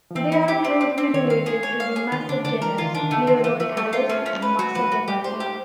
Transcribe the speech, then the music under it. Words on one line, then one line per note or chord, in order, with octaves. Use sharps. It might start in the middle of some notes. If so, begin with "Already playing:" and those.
They are closely related to the massive genus "Pleurothallis" and "Masdevallia".
F3
E3 C4
E4
G4
C4
C4
C4
D#3 C#5
F5
G#4
C#5
F5
G#4
D#3 F4
D3 D4
D3 D4
E3 A#4
E3 F4
D#3
D4
D#3
D3 A3
D#3 C4
E3 A3
F3 A3
G3 A3
A#3 F4
A3 C#4
C#4
G3
B4
F#3 F#4
F3 B4
F#3 F#4
G3 G4
G#3 C5
A3
G4